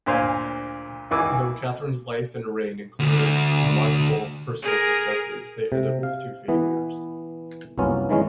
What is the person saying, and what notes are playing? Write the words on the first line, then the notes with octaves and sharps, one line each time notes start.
Though Catherine's life and reign included remarkable personal successes, they ended with two failures.
D2 A#2 C5 F5 G#5
C#2 D#3 E3 G#5 D6 E6
D2
G#4 A#4
C3
F5
E3 B3
C2 F#2 A#3 B3 C#4 F4
D#3 E3 G#3 C#4